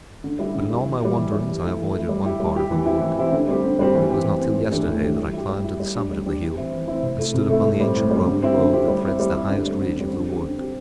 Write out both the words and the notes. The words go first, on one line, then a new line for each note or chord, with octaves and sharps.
But in all my wanderings I avoided one part of the wood; it was not till yesterday that I climbed to the summit of the hill, and stood upon the ancient Roman road that threads the highest ridge of the wood.
D3
G3 E4 G4
D3
G3 E4 G4
E3
G3 E4 G4
E3
G3 E4 G4
E3
A3 E4
E3
A3
E4
G3
E4 G4
G3
E4 G4
E3
C4 E4 G4
E3
C4 E4 G4
D3
G3 C4 G4
D3
G3 C4 G4
E3
C4 G4
E3
C4 G4
A2
E3 A3 D4 G4
A2
E3 A3 D4 G4
G3
E4 G4
G3
E4 G4
G3
D4 G4
G3
D4 G4
E3
C4 E4
E3
C4 E4
C3
A3 E4
C3
A3 E4
A2
G3 C4
A2
G3 C4
D3
C4 E4 G4
D3
C4 E4 G4
G3
C4 E4
G3
C4 E4
D3
G3 C4
D3
G3 C4
D3
C4 G4
D3
C4 G4